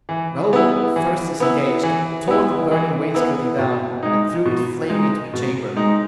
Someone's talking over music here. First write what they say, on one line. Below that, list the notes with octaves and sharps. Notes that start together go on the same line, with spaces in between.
Raoul, first disengaged, tore the burning wainscoting down, and threw it flaming into the chamber.
E3
B3 E4
E3
B3 E4
E3
B3 E4
E3
B3 E4
B2
G#3 D#4
B2
G#3 D#4
B2
G#3 D#4